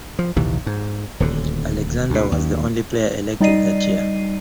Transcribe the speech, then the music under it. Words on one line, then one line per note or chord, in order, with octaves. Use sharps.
Alexander was the only player elected that year.
F3
A#1 D#2 C3 E3
G#2
D#1 D2 D3
D2 B2
D#2
G3 D#4 D5 D#5 C7 D#7